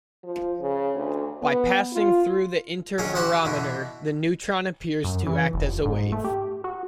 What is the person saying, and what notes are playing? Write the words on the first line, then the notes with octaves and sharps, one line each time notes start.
By passing through the interferometer, the neutron appears to act as a wave.
F3
C#3
D2
B3
F4
A#1 D#2 F#3 C#4 G#4 G#5
F#4 G4 C5 F#5
B2 D3 E3
F#2
E3
F1
G#2
A3
G4
F#4